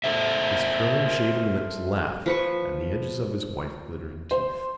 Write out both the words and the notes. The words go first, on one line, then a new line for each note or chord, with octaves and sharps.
His curling shaven lips laughed and the edges of his white glittering teeth.
A4 A#4 C5 E5
F3 B4 C#6
C5